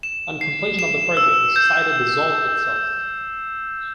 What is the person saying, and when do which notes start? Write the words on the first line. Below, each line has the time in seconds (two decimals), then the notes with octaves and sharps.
On completion of the project, the Society dissolved itself.
0.03 E7
0.41 C7
0.79 E7
1.17 E6
1.56 G6